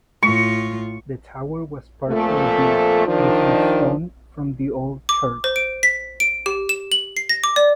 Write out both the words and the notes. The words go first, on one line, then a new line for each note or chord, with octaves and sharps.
The tower was partially built using stone from the old church.
A2 F4 C#6
F2 A#2 F3 A3
D#3 F3 D4
D6
C5
D7
B6
D7
G4
E7
F#7
C7
A#6
D6
D5